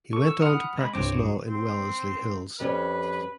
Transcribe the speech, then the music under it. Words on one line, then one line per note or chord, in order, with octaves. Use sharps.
He went on to practice law in Wellesley Hills.
A4 C#6
E6
F#5 B5 D#6 F6
G#3 B5
C2 G2 C4 C5 C#5 D6
F#4 G#4
C4
F2 G3 C#4 B4